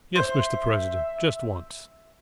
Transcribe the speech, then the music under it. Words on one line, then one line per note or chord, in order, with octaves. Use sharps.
"Yes, Mr. President, just once."
C5 E5